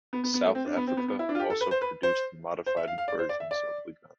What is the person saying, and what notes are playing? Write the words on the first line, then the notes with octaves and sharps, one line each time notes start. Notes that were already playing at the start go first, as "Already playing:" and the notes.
South Africa also produced modified versions of the gun.
B3
B3
B3
A3
C4
D4
B3
C4
B3
B3
E4
D4
F4
G4
A4
B4
C5
B4
C5
C5
E5
F5
F5
D5
C5
D5
E5
D5